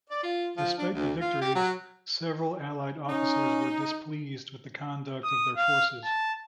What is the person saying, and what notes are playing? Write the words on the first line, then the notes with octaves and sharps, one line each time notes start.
Despite the victories, several allied officers were displeased with the conduct of their forces.
D5
F4
F3
D4
D2
F4
G4
F#3
C#4 D#4
D#6
F5
A5